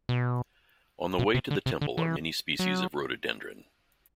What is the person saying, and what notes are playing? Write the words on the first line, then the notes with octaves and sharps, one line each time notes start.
On the way to the temple are many species of rhododendron.
B2
B2
C3
D3
C3
D3
E3
F#3